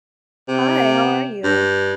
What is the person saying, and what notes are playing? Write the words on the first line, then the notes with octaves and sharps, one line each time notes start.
Hi, how are you?
C3
G2